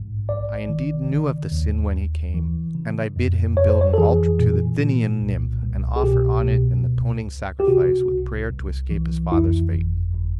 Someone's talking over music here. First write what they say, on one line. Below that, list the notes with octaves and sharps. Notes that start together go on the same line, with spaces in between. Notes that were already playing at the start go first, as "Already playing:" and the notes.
I indeed knew of the sin when he came; and I bid him build an altar to the Thynian nymph, and offer on it an atoning sacrifice, with prayer to escape his father's fate.
Already playing: A#1 G#2
A#1 D5
D#3
C#3
D#2
D#2
E3
C#3
F2
F2 C#5
C5
C#5
A4
E3 G#4
A#2
A#2
C2
C2
G#4
B2 G4
B2
C#2
C#2
G4
C3 F#4
C2
C2
E3
F2 E4
G1
G1